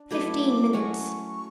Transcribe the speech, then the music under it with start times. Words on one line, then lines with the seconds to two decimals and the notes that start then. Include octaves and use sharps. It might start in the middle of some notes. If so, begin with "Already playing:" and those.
Fifteen minutes.
Already playing: D4
0.11 F#3 A3 E4 B4 D6
0.73 F#3 A3 C#4 F#4 C#6